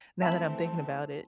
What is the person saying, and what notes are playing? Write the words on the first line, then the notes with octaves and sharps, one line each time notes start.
Now that I'm thinking about it.
E3 A3 C4 E5 A5 B5